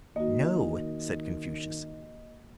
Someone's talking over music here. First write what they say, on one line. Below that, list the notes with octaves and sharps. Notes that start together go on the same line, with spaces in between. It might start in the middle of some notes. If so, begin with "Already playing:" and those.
"No," said Confucius.
D#3 A#3 F#4 D#5